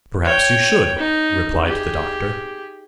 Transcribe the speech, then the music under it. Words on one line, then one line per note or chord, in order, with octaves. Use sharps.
"Perhaps you should," replied the doctor.
C#5 G5
D#4
G4 G#4